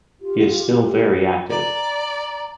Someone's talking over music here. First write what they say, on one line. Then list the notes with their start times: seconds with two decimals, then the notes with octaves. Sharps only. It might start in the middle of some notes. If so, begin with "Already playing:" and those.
He is still very active.
0.20 F4 G4
1.50 D5 A#5